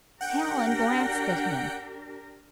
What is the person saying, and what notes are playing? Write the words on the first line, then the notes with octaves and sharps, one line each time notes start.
Hallen glanced at him.
D4 G4 A#4 F#5 G5